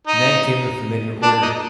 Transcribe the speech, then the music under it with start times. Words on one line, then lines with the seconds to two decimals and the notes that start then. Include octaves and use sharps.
Then came the familiar order.
0.07 D#4
1.23 D4
1.43 D#4